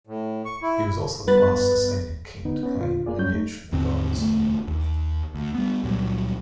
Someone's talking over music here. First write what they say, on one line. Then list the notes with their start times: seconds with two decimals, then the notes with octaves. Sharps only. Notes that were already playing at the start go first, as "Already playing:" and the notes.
He was also the last Sasanian king to claim lineage from the gods.
0.07 A2
0.45 C#6
0.63 E4
1.27 G2 B3 B4 F#6 A6
2.45 D3 B3 D#4
2.63 B3 C#4
2.77 A#2 D3 F4
3.06 A#3 F4 G#4 D5
3.18 F#2 F#3 G3 C#4 C#5 G6
3.32 A3 D#4
3.72 D#2 G#2 D3 C4
4.16 E1 D2 G3 A3
4.68 D#2
5.35 D2
5.55 G3 B3
5.83 C#2 A#2 F#3 G3